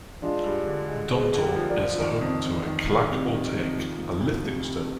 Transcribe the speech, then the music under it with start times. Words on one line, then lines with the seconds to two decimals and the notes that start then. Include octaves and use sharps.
Duntulm is home to a clach-ultaich, a lifting stone.
0.22 G#3 D4 F4
0.45 G2
0.67 D3
0.88 G#3
1.11 G#3 G#4 C5
1.33 D3
1.40 G4 A#4
1.55 F3
1.70 A#4 D5
1.77 F3
1.99 D#3 A#4 D5
2.21 F2
2.44 F2
2.66 D#3
2.87 A#3
3.09 C3
3.32 D#3
3.54 F2
3.76 F3
3.98 A#3
4.20 D2
4.42 C3
4.65 D2